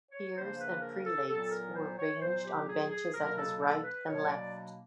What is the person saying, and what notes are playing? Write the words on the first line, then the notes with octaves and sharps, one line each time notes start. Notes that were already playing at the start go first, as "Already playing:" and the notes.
Peers and prelates were ranged on benches at his right and left.
C#5
C#3 F3 A#3 D4 C5
B4
A#4
A4
A#2 F#3 B3 A4
A#4
C5
C#5
A#2 F#3 B3 C5
G4
G#4
G#4
B2 F#3 A#3 D4 A#4
A4
A4
B4
B2 F#3 A#3 D4 C#5
D5